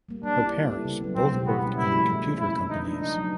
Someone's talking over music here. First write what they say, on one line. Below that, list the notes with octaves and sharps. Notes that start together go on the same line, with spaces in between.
Her parents both work in computer companies.
G3 A#3
G3 D4
C4 E4
G3
B3 E4 A4
C#3
F#3 B3
B2 C4
G#3 B3 E4 G4
D3 B3
G3 A#3 C#4
C#3 E4
F3 A3 C#4 F#4
G#3
C#4 F4
G#3 E4
B3 D4
D3 D#4
F3 A3 D4
C#3 D#4
F#3 B3